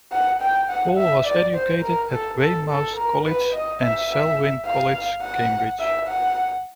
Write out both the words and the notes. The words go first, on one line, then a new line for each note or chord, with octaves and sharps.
Paul was educated at Weymouth College and Selwyn College, Cambridge.
F#5
G5
F#5
E5
D5
C5
A#4
A4
A4
A4
A#4
B4
D#5
E5
E5
F5
F#5
E5
F#5